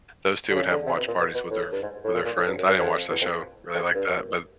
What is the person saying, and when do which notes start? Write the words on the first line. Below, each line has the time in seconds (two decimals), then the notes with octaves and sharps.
those two would have watch parties with their f with their friends. I didn't watch that show really like that, but
0.50 D3
0.55 C#3
0.70 D3
0.86 C3
0.97 B2
1.08 A#2
1.19 B2
1.34 B2
1.51 A2
1.72 G2
1.83 G#2
2.04 A2
2.14 A#2
2.25 A#2
2.36 A2
2.47 G2
2.58 F#2
2.68 F#2
2.79 F2
3.11 E2
3.21 F2
3.75 F2
3.95 G2
4.06 F#2